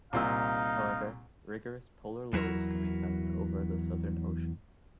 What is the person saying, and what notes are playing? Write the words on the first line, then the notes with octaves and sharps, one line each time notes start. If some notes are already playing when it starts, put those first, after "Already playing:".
However, vigorous polar lows can be found over the Southern Ocean.
C2 A#2 D#4 F5 E6
E2 F#3 E4 F#4 A#4